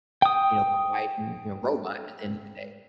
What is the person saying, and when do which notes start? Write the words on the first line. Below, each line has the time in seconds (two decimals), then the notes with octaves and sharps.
you know, providing, you know, robot at the end of the day,
0.22 G5 D#6